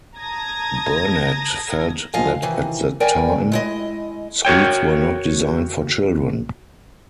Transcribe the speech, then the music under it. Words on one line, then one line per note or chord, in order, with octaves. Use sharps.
Bernat felt that at that time, sweets were not designed for children.
A5 A#5 D#6 G#6 A#6
D2 F3 D#5 F5 G#5
C3 D#3 E3
A#4 D5 G5 G#5
G#3 E4 D#5
F#4 A#4 C#5 G5